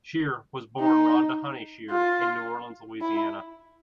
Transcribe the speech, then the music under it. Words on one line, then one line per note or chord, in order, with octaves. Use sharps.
Shear was born Rhonda Honey Shear in New Orleans, Louisiana.
D#4
F4
E4